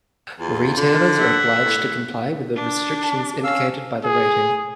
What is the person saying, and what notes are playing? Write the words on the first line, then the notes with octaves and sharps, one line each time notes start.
Retailers are obliged to comply with the restrictions indicated by the rating.
E2 F4
D3
E5 F#5
A2
D4
A5
C#4 F5 E6
G#4